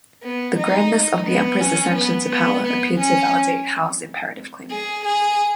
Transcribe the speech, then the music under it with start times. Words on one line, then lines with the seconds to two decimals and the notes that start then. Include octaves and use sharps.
The grandness of the emperor's ascension to power appeared to validate Howell's imperative claim.
0.23 B3
0.57 D#4
1.27 B3
1.60 C#4
1.95 B3
2.29 B3
2.64 B3
2.99 C#4
4.70 G#4
5.05 G#4